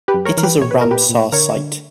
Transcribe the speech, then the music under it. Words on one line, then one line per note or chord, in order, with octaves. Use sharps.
It is a Ramsar site.
G4 B4
F#2
A#4 C#5
E3 A#4
G4 B4
A#2 C#5
B4
A#2 A#4
G4 B4
A#2
D3 A#4 C#5
D3